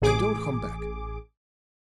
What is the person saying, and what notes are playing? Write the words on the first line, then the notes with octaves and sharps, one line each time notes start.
And don't come back.
A1 G#4 D6